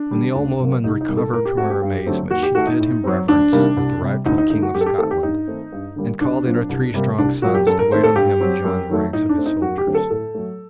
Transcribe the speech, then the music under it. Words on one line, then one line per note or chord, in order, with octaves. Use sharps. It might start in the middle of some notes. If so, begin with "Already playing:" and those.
When the old woman recovered from her amazement she did him reverence as the rightful King of Scotland and called in her three strong sons to wait on him and join the ranks of his soldiers.
Already playing: D4
D3 G3
D2
C3 F#3 A#3
C2 D#4
D#4
C3 G3 A#3
A4
A2 A#4
G4
A3 C4 F#4
G4
G2
D3 F#3 A3 C4
D#2 F#4
G4
D#3 A3 F#4
D#4
A2
F#3 C4
D2 D4
C3 D#3 G3 A#3
C2
C3 G3
D2 D#4
D#4
D3 A3 D#4
F#4
F#2 G4
A4
G4
D#3 A3 C4 A4
G4
G2 D#4
D#3 A3 C4
G2
D3 G3 A#3
C2 D4
A#2 F#3 C4
C2
C3 G3 A#3
C2 D4
A#2 F#3 A#3 F#4
G4
F#2 A4
A#4
D#3 A3 C4 C5
A4
G2 G4
F#3 C4
F#2
D#3 F#3 A3
A2 D#4
D4
A3 C4
D#4
F#2 F#4
G4
D3 F#3 A3 C4
A4
A2 A4
F#3 A3